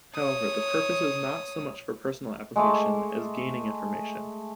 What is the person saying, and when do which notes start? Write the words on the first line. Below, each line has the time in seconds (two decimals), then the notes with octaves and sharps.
However, the purpose is not so much for personal application as gaining information.
0.15 C#5 D#6
2.56 G#3 A3 D6